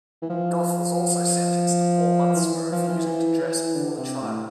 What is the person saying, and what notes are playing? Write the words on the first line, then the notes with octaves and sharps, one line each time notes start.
Gough was also sentenced to four months for refusing to dress before the trial.
E3
F3
E3
E3
F3
E3
E3
E3
D3
C3
A2